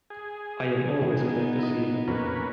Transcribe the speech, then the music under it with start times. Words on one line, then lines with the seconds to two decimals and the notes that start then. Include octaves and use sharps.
I am always glad to see him.
0.10 G#4
1.01 D3 E3 G3 B3 D#4
1.59 E4 D#5
2.08 F2 B2 A#3 C#4 B4